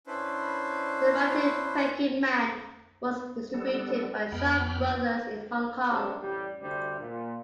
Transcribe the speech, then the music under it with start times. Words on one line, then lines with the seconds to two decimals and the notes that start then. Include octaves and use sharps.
"The Mighty Peking Man" was distributed by Shaw Brothers in Hong Kong.
0.07 C#4 D4 E4 B4 C5
3.54 G3 B3 A4
4.32 F2 B3 G5 B5 F6
5.89 F#2 C3 D4
6.21 A1 G3
6.61 D2 C3 G3
6.99 A#2